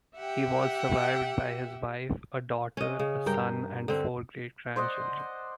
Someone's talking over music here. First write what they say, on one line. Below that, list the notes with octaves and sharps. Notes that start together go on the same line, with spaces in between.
He was survived by his wife, a daughter, a son and four great-grandchildren.
G4 E5 F#5 G5
C#4 D#5
C#3
G2 A#4 G5
D3 C4
C5 D5 D#5 F#5